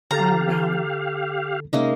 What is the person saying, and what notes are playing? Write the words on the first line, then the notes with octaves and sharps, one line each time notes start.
Oh, no.
D3 G4 A4 F5 A#5 A6
C3 G#3 A#3 C#4 D#4 E5